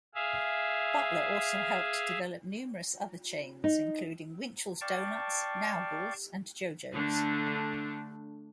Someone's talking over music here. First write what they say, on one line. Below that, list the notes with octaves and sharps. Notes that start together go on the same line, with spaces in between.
Butler also helped develop numerous other chains, including Winchell's Donuts, Naugles, and Jojo's.
G#4 E5 F5
D#4
D5 F5 G5 A5 C#6
D3 A3 D4